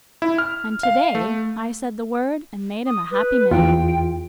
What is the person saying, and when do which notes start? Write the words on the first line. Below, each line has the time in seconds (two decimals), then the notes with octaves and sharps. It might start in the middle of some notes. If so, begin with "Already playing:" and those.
And to-day I said the word an' made him a happy man.'
0.22 E4
0.38 F6
0.83 F5
1.15 A3
2.87 D#6
3.11 B4
3.51 E2 F4 G5